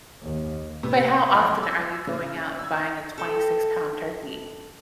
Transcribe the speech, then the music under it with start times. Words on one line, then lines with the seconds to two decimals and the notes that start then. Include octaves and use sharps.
But how often are you going out and buying a twenty-six-pound turkey?
0.23 D#2
0.83 C3 B4
1.32 A1 F2 D#5 F7
1.62 D6 E6
2.07 C#3
2.59 E6 G#6
3.18 A4 G5